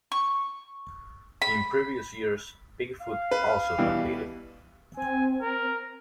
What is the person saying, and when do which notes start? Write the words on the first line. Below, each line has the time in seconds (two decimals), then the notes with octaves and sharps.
In previous years, Bigfoot also competed.
0.12 C#6
1.42 B5
3.01 F5
3.31 B4
3.78 B2 E3 G3
4.97 C4 G#5
5.41 A#4